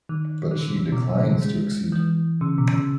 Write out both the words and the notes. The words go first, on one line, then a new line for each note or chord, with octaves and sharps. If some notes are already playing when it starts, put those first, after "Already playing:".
But she declines to accede.
D#3
D#3
C#3
D#3
C#3
B2
C#3
D#3
C#3
G#3
E3
C#3
B2
C#3